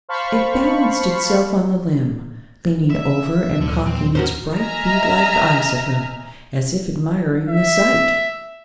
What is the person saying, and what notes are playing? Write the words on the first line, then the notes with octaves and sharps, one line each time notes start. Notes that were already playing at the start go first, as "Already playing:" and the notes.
It balanced itself on the limb, leaning over and cocking its bright bead-like eyes at her, as if admiring the sight.
C5 F5 A5 B5 C#6
E5
D2 A#2 D3 F#3
D#2 C4
A2 C#4 F#4 A#4 C5
D#5 E5 G#5 A#5 F6
E5